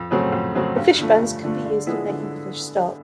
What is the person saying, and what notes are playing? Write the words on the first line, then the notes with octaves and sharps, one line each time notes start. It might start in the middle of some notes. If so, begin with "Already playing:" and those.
The fish bones can be used in making the fish stock.
Already playing: F2
C#3 F#3 A3 C4
F2
C#3 F#3 A3 C4
G2
D3 F3 A3
G2
D3 F3 A3
D3
F3 G#3 B3 E4
D3